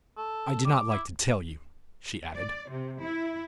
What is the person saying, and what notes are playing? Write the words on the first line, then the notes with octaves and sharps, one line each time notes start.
"I do not like to tell you," she added.
A4
G3 D6
E4
D5
C3
E4